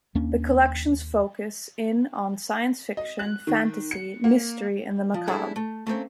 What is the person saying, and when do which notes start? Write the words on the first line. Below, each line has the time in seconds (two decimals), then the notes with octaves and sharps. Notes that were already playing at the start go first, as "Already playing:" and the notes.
The collection's focus in on science fiction, fantasy, mystery and the macabre.
0.15 D#2 A#3 C#4 D4
2.97 D#5
3.19 F#6
3.47 D#3
3.91 C#7
4.24 A#3
5.14 F3
5.27 G3 D4 E4 G#4 A4
5.56 A3
5.87 A3 A#3 C4 C#4